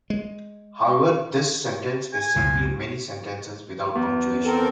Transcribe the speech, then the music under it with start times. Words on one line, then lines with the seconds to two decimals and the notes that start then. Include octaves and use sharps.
However, this sentence is simply many sentences without punctuation.
0.10 G#3
2.13 G#5
2.36 C#2 F#2 B2
3.95 E2
4.45 C4 A4 A#4